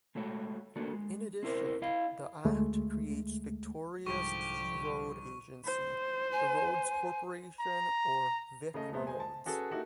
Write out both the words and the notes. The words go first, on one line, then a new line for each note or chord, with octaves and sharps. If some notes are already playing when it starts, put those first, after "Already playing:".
In addition, the Act creates Victoria's key road agency, the Roads Corporation or VicRoads.
G#3 A3 F#4 C#5
A3 A#3 D4 F#4 A4
G#3
C4 E4 A#4 C5
E4 D#5 F5
D2 G#3 A3
C2 G#2 D3 F3 G3 G4 C#6
C5
G#5
A#5
C#3 A3 D#5 A5
E1 A#2 B3 C5 E5
G#3 C5 G#5
A5
C#4 F#4 G#4 A4 B4
A#3 D#4 E4 F#4 G4 A4